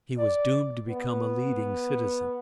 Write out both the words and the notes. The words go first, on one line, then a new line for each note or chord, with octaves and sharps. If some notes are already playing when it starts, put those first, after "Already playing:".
He was doomed to become a leading citizen.
D5
B3